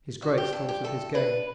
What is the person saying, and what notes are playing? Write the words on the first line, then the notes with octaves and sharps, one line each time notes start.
His Grace thought of his game.
G2 F#4
G4
G2 A4
G4
A2 A4
D4 B4